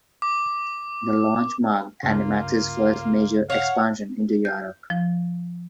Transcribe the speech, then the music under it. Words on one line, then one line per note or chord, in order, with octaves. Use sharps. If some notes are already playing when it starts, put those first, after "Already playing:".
The launch marked Animax's first major expansion into Europe.
D6
C#2 G2 C#3 A#3 F4
C#5 F5 F#5
G6
F3